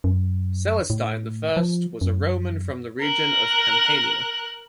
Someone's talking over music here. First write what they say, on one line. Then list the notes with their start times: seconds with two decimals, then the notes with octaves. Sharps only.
Celestine the First was a Roman from the region of Campania.
0.04 F#2
0.90 A2
1.57 F3
2.01 F#2
3.02 A#4 F#6